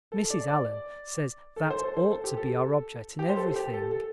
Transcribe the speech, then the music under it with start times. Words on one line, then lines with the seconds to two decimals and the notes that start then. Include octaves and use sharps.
Mrs. Allan says that ought to be our object in everything.
0.12 A4
0.30 D5
0.48 D5
1.56 A4
1.70 C5
1.84 A4
1.97 C5
2.11 A4
2.24 G4
2.37 A4
3.19 G4
3.29 C5
3.37 A4
3.56 G4
3.73 A4
3.91 A4